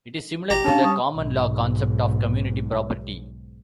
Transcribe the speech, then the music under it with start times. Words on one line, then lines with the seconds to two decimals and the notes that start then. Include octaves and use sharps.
It is similar to the common law concept of community property.
0.50 G#1 G4 A#5
0.65 C#4 D4 F5 A5
0.83 G3 C#6 D#6
1.13 B1 G#2